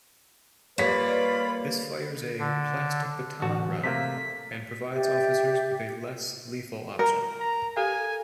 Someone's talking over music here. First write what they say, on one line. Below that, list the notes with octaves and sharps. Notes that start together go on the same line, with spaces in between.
This fires a 'plastic baton round' and provides officers with a less lethal option.
G3 A#3 F4 B4 C#5 D5 B5 B6
D3
A1 F#4 A5
C3 A3 A#3 B6
G4 D5 E5
A#4
A#5
G4 A4 F5 G#5